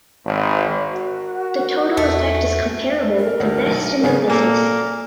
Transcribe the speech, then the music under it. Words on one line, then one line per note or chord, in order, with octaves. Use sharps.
The total effect is comparable with the best in the business.
G#1
F#4 A#4
E2 A3
A#4
D2
B1
G#1 C#3 B3 G#5
A#2 A#3 A4